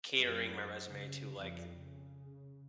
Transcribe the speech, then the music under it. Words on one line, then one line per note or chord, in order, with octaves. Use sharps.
catering my resume to, like,
F#2
C#3
F2
C#3